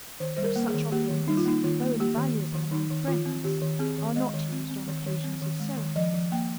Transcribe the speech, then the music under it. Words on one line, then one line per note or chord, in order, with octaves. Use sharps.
But such offerings, though invaluable among friends, are not used on occasions of ceremony.
D#3 C5
G3 C5
A#4
A#3
G#4
D#3
A#3 G4
D#3
G3 D#4
F4
A#3 D#4
D#3 F4
A#3
A#3 G4
D#3
D#3
D#3
D#3 D#4
D#3
D#3 F4
C4
D#3 G4
D#3
C4 G#4
D#3
G#3 D#5
D#3
C4
C4
D#3
D#3
C4
D#3
G#3
D#3
F3 D#5
F3
A#3 G5